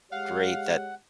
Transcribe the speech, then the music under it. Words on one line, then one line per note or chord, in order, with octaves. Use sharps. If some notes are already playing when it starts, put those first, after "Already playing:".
great that,
G#3 G4 C#5 F5 F#5